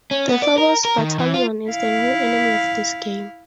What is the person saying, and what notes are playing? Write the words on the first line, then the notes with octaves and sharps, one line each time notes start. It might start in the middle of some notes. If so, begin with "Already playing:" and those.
The Phobos Battalion is the new enemy of this game.
C#4
B3
D5
A#4
A#4
D#3
E3
F4
E4 F5